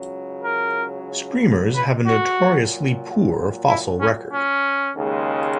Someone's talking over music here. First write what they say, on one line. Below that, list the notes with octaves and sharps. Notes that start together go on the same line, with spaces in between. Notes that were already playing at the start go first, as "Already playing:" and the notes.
Screamers have a notoriously poor fossil record.
Already playing: C#2 C#3 F#3
A#4
B4
F#4
A#2 F#3
E4
C#4
C#4
D#2 C#3 G#3